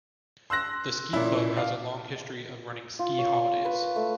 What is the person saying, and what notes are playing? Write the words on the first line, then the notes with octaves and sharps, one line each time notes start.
The Ski Club has a long history of running ski holidays.
C6 E6 F#6 A#6
A#2 C#4 E4
D5 F5
F4
C#5
B4
A3